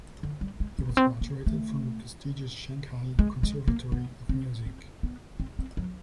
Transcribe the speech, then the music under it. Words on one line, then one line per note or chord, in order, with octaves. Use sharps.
He was graduated from the prestigious Shanghai Conservatory of Music.
D3
G3
G#3
C#4
B3
C4
A#3
A3
G#3
G#3
A#3
B3
C4
C4
B3
C4
C4
F#3